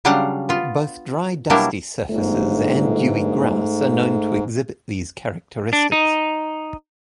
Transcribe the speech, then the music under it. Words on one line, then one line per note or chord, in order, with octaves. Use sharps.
Both dry dusty surfaces and dewy grass are known to exhibit these characteristics.
C#3 F#3 G3 D4 F5 F#5
B3 F4
B2 F#3 G3 A#3 D4 E4
G1 G#2 A3
D4
D#4